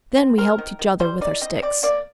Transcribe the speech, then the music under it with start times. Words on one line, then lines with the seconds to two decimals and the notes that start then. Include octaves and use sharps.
Then we helped each other with our sticks.
0.18 C4
0.38 C4 A#4
0.58 D#3
0.79 D#3
1.00 G3 C5
1.21 D#4 D5
1.42 C4 D#5
1.62 C4 D5
1.83 A#3 D5